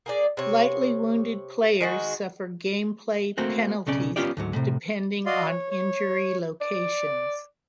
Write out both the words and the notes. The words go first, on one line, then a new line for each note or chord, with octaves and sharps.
Lightly wounded players suffer gameplay penalties depending on injury locations.
A#3 G#4 D5
C3 C#5
D#3 G#3 F#4
A3 A#3 C4 F#4
B1 C#3 C#4 D5
B3 C#4 F4 G4 D5
D2 G#2 F#3
A2 C3
F#4 D5 D#5 F5 C6
C#5
C#5
D5